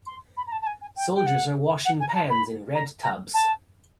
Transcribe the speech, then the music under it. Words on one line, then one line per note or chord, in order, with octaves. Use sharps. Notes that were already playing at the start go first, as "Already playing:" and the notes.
Soldiers are washing pans in red tubs.
C6
B5
A#5
A5
A5
G#5
G#5
G5
G5
F#5
F#5
G#5
A#5
A5
B5
A#5
A#5
A5